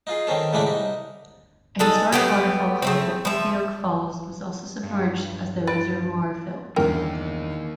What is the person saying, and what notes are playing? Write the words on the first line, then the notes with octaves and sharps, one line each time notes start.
A historic waterfall called the Pokiok Falls was also submerged as the reservoir filled.
D#4 F4 G#4
D#3 C4 C#4 A4
A2 C#3 G#3 A3 D4 E4
C2 D#4
D4 D#4 A4 G#5
F#3 A3 B3 G4
C#3 A3 C4
F3 E5
G2
B4 A6 D7
G1 E2 D#3 A#3 C#4 A#4 G5